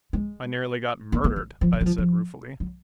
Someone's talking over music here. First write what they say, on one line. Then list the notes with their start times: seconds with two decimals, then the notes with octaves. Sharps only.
"I nearly got murdered," I said ruefully.
0.13 G#3
1.12 A#3
1.24 A#3
1.36 C#4
1.61 F3
1.73 C#3
1.81 F#3
1.86 F3
1.98 F3
2.60 F#3